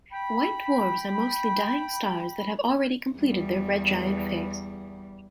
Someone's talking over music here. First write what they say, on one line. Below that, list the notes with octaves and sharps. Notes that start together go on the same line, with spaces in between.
White dwarfs are mostly dying stars that have already completed their red giant phase.
G5 B5
E2 G3